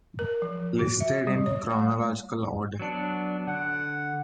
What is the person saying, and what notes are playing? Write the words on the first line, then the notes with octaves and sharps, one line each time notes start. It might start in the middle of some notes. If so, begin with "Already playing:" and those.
Listed in chronological order.
A#4
F3
F#4
E5
G3
C#5
A3
F#3 B3 D4
D3 F#5